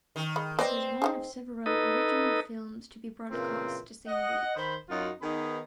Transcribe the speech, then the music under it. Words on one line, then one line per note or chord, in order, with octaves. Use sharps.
It was one of several original films to be broadcast the same week.
D#3
G#3 B5
C4 B4 D5 D#5
D#4 E4 G#4
D#4 A4 B4 D#5
A#2 C#3 E3 A#3 C4
D#5 F#5
D#3 C5 B5
F#2 F#3 D#4 F4 F#5
D#3 B3 D#4 G#4 B4 B5